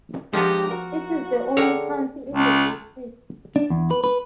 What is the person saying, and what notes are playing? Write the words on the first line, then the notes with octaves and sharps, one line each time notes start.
It is the only county in the district.
F3 G#3 B3 D4 G4 A#5
F#4 A#4
D3 G#4 A#4 C#5 F#5 G5
C#2
D4
E2
B4
B4